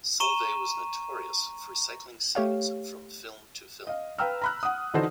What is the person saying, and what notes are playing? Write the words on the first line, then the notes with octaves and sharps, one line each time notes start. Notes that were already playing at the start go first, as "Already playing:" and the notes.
Solvay was notorious for recycling scenes from film to film.
A#5 C#6 D#7 E7
A3 G4 C#5 F5
D#5 F5
B4 F5 G5 A#5 E6 F6
A#5 B5 F#6
F#5 D#6
D3 E3 D#4 F#4 A4 C5